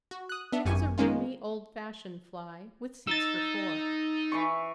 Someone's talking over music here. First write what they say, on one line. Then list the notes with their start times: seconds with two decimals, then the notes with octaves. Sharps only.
It was a roomy, old-fashioned fly, with seats for four.
0.11 F#4
0.29 D#6 F#6
0.52 B3 D4 E5
0.65 G#1 F#2 G4 G#5 C#6
0.98 D#3 G#3 A#3 C#4 D#4 F4
3.07 D#4 E6 A6
4.32 E3 E5 C#6